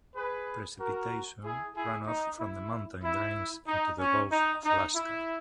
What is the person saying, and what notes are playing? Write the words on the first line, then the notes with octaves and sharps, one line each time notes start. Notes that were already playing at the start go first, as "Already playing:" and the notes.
Precipitation runoff from the mountain drains into the Gulf of Alaska.
G#4 B4
F#4 A#4
E4 G#4
E4 G#4
D#4
E4
E4
D#4
C#4
D#4
D#4
E4